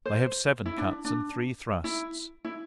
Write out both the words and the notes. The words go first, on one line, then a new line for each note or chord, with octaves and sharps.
They have seven cuts and three thrusts.
C5
E4
D4
D4
E4
E4